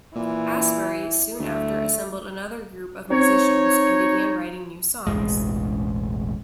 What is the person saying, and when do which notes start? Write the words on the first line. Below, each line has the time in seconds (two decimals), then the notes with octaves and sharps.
Astbury soon after assembled another group of musicians and began writing new songs.
0.16 A#2 E3
1.39 D2 A3
3.10 C4 D#4 C#5
5.07 E1 A1 F#2 G#3